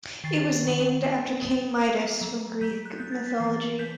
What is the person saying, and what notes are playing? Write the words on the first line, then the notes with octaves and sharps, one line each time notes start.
It was named after King Midas from Greek mythology.
D#3 A6 C7
D#3
B3
B3
B3
F#3
F#3 G6 B6
F#6
B3 G6
A6
B6
E3 A6 C7
E3 G6 B6